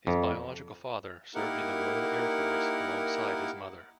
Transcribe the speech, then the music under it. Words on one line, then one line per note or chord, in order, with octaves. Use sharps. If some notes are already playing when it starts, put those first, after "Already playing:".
His biological father served in the Royal Air Force alongside his mother.
F2
A#3 D#4 E4 G4 A#4 F#5